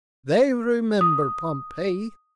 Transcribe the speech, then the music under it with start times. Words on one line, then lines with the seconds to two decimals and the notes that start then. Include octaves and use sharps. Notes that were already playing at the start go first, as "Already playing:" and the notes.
They remember Pompeii.
1.01 D#6